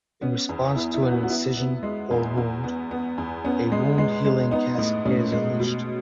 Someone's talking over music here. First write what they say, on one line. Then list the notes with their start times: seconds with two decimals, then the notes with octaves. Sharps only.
In response to an incision or wound, a wound healing cascade is unleashed.
0.21 B3 C#4
0.49 E2
0.75 B3 E4
0.94 E4
1.02 B3
1.11 F#4
1.23 F#4
1.29 B3 E4
1.57 B3
1.83 G#3
2.11 E2
2.37 E2
2.64 B3
2.91 B3
3.18 E2
3.44 B3 C#4
3.72 G#3
3.98 G#3
4.25 G#3
4.51 B3 D#4
4.78 A2
5.06 A2 C#4
5.32 G#3
5.60 B2